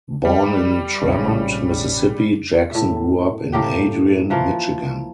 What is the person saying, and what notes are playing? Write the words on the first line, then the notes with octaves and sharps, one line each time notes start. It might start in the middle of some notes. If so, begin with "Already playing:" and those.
Born in Tremont, Mississippi, Jackson grew up in Adrian, Michigan.
G3
A#1 G#2 C#3
A2 E5
A2 A#3 G4 G5
E3 F3 A#3